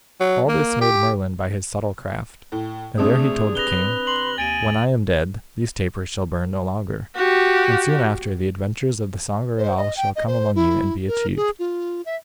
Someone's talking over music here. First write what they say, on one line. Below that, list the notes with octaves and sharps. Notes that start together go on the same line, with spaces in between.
All this made Merlin by his subtle craft, and there he told the king, When I am dead these tapers shall burn no longer, and soon after the adventures of the Sangreal shall come among you and be achieved.
F#3
A#3
G4
A2
C3 A3 C4 D4 G#4 D#6
B4 A#6 F7 G7
C6 F#7 G7
D#2 G#5 A6 D7 D#7
F#4 G4
C5
D#5
G5
D#5
C5
E4
A#4
G#4
F4
E5